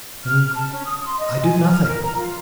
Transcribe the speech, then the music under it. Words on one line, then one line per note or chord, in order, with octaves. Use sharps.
And I did nothing.
F6
A5
C#4
D#6
C6
D#5
G#5
F6
A#4
A#5
F4